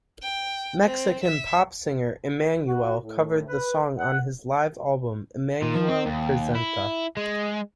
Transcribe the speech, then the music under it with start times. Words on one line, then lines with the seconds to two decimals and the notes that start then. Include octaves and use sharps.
Mexican pop singer, Emmanuel covered the song on his live album, "Emmanuel Presenta..."
0.22 G5
0.85 C4
1.24 E5
2.67 F#4
3.03 A2
3.48 B4
3.98 F#5
5.62 A#2
5.75 F3
5.89 C4
6.06 D#2
6.55 E4
7.17 G#3